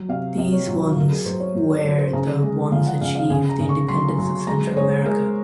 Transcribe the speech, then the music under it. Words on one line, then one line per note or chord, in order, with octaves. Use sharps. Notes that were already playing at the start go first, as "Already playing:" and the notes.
These ones where the ones achieve the independence of Central America.
Already playing: F#3
C3 F5
C3 D#5
C#5
F#3 F4
F#4
F#3 A#4
G#4
F#3 C5
C#5
F#3
C#5
F#3 A#4
C5
C#3 A#5
G#3
F3 F5
F#5
C#3 F5
F5
C#3 G#5
A#5
C#3
C#6
F#3 C6
F#3
G#3 A#5
C5
G#3 C#5
G#3 A#4